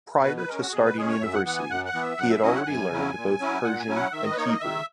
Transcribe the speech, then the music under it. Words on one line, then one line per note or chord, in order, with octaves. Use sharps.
Prior to starting University, he had already learned both Persian and Hebrew.
B2 B4
B4
G#3 C#4 A#4
F#4
B2 G#4
B4
G#3 C#4 G#4
C#5
F#2 E5
F#5
E3 B3 F#5
G#5
F#2 F#5
F#5
E3 B3
E5
F#2 F#5
E5
C#3 F#3 C#4 E4 D#5
F#5
F#2 G#5
C#3 F#3 C#4 E4
A#2
F#3 C#4 E4
A#2 F#5
G#5
F#3 C#4 E4
F#5
D#3 E5
D#5
B4
A#3 D#4 C#5
D#5
D#3 E5